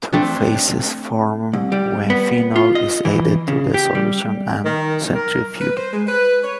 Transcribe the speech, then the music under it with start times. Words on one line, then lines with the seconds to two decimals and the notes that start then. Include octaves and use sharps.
Two "phases" form when phenol is added to the solution and centrifuged.
0.12 A3 C4 D4
1.53 C2
1.72 G3
2.10 B3
2.56 F4
2.75 D#5
3.05 E3
3.48 C#3
3.74 G4
3.95 G3
4.65 D#3
5.16 A#4
5.60 B4
5.76 C5
5.92 G#3
6.06 B4
6.43 C#5